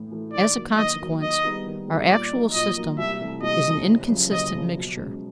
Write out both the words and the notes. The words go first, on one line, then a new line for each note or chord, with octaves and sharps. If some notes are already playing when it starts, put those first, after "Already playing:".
As a consequence, our actual system is an inconsistent mixture.
Already playing: A2 E3 A3
E3 A3
D#3 D5
F#3 A#3
D#3 D#5
F#3 A#3
D#3 D#5
G3 B3 D#4 G#4
D#3
G3 B3 D#4 G#4
A#2 D5
F#3 A#3 D#4
A#2 D#5
F#3 A#3 D#4
C2 E5
C3 E3 A3
C2 D#5
C3 E3 A3
F#1
F#2 C#3 F3
F#1 D#5
F#2 C#3 F3
B2
G#3 C#4